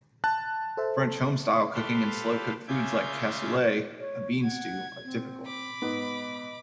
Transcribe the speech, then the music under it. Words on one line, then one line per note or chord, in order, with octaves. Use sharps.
French home-style cooking, and slow-cooked foods like cassoulet, a bean stew, are typical.
A5 F#6
A4 C5 E5
G4 A4 B4 C5 F5 G5
C#3 F4 E5 G#5 D6 G6
C#5
F#5 G#6
C4
B5 D6
G#2 B3 D#5